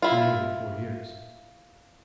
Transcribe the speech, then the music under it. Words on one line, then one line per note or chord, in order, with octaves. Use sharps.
"For nearly four years."
E4 F4